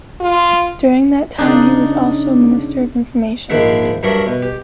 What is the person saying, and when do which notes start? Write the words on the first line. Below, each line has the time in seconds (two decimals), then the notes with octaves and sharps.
During that time he was also Minister of Information.
0.20 F4
1.38 C#3 D4 D#4
3.50 A#1 G#2 D#3 A#3 E5 F#5
4.03 G2 F#3 D4 A#4 E5 C#6
4.26 B2
4.42 G4